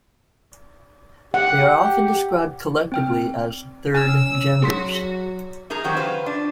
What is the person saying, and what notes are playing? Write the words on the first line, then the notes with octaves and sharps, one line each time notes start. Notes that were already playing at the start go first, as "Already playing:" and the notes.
They are often described collectively as 'third genders.
G4 F#5
C4 G5 F6
C#4 G#5 E6 F6
F#3 F#4 G#4 C6 B6
D#4 G#4 A#4 A#5
D#3 F#3 C4 F#4 G4
F4 B4 C5
D4